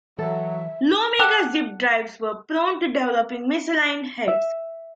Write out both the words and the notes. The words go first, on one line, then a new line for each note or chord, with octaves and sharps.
Iomega Zip drives were prone to developing misaligned heads.
E3 F#3 A4 E5
G4 A4 F#5
E5